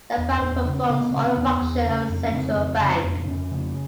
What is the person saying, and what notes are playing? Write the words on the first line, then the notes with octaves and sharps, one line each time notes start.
The Bank performs all the functions of a central bank.
E2
E2 C#4
D4
C#3
C#4
C#3 B3
B3
C#3 C4
C4
E2 B3
E2
C#3 C#4
F2
C#4
C#3 C4
F2
C#3 C4
D4
F2
D4
F2 C#4
C#3